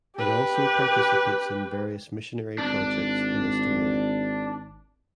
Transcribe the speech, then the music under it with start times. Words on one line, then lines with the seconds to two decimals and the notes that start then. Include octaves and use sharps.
It also participates in various missionary projects in Estonia.
0.16 G4 B4
2.58 G#1 D4